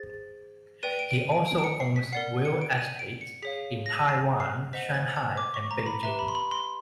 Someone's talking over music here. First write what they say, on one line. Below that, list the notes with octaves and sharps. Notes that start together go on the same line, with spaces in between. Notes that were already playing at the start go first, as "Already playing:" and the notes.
He also owns real estates in Taiwan, Shanghai, and Beijing.
Already playing: G#4 C5 A6
B4 D5 G5 D#7
D7
D7
D#7
D7
D7
D7
C#7
C7
B6
A#4 D5 F#5 C7
C#7
D7
D#7
D7
C#7
G#4 C#5 F5 B6
A#6
C7
C7
C5 D#5 F#5 B6
A6
G#6
D6
C#6
A#5
B5
G4 B4 E5 A#5
B5
C6
B5
C6